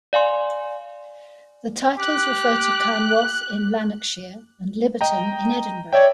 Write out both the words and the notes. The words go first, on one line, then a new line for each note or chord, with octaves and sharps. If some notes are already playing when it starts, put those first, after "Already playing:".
The titles refer to Carnwath in Lanarkshire, and Liberton in Edinburgh.
D5 F5 G#5 C6
G4 F#6
D#5 G5 A#5
C#5 D5 E5 G5